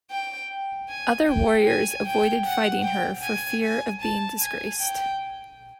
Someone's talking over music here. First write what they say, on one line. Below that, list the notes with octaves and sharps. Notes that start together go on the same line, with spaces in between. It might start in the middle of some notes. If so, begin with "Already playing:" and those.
Other warriors avoided fighting her for fear of being disgraced.
G5
G#5
G5
G#5
G5
F#5
G5
G#5
G#5
A5
G#5
G5